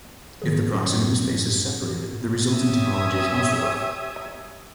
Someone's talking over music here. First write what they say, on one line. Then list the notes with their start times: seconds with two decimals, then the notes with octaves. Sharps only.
If the proximity space is separated, the resulting topology is Hausdorff.
0.42 D#3 F3 G#4
0.73 F#2
2.53 G4 C#5 E5 G#5 D#6